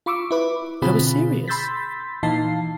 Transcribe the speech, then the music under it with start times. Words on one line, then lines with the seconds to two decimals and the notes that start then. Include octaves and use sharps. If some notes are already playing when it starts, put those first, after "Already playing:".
I was serious.
0.06 F4 B5 C#6 D6 E6
0.31 E4 B4 D6
0.82 B2 D3 C4 F4 G#4 B5
1.48 B5 C6 E6 G6 A6 B6
2.23 A#2 E3 D#4 F5 A5 C7